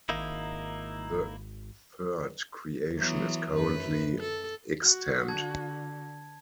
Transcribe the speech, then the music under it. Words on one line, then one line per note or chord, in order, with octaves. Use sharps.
The third creation is currently extant.
G#1 A#3 D#4 E4
E3 F#3 B3
F#2 B4
A4
F#4
D3 A5 G#6